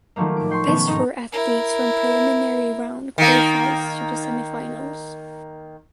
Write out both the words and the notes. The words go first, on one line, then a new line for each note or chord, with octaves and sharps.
Best four athletes from preliminary round qualifies to the semifinals.
D#3 F3 F#3 A3 A#3
A2 D6
G5 C6 C#6
B2 D#3 A3 B3 C#4
G#2 A3 D#4 A#5
E4 A#4
D#3 A#3